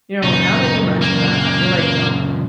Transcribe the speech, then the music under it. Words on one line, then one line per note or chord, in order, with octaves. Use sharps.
you know, now that you mentioned that, I feel like, um
F#2 A#2 C#3 D#4
A#3